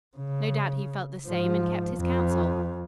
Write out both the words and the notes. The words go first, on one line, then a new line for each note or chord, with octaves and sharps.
No doubt he felt the same and kept his counsel.
C#3
G#2 F3
F2